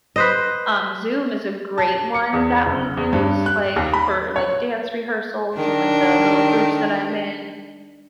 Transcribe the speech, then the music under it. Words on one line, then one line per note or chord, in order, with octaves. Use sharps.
Um, Zoom is a great one that we use, like, for, like, dance rehearsals and, like, the little groups that I'm in.
B4 C5 D#5
A5
C#7
E2
F#1
E2
G2
F#6
D#2
B5
C#5
D#3 D4